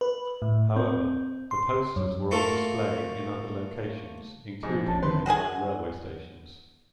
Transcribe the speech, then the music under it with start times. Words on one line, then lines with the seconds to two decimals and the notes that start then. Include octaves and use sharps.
However, the posters were on display in other locations including mainline railway stations.
0.01 B4
0.42 A2
0.76 C4
1.51 C6
1.96 F#2
2.31 A3 A#3 F4 F#4 A4
4.63 G#2 F3
4.87 A#1 C#4 A5
5.02 D3 D#3 C4 B4 C6
5.26 F#4 G#4 F#5 G#5